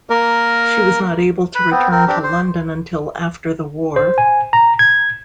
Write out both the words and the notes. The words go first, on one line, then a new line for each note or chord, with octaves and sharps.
She was not able to return to London until after the war.
A#3 A#4
B4 B5
B3 C4
C4 A#4
C4 D4 G4
C5
C5
G#5
A#5
G#6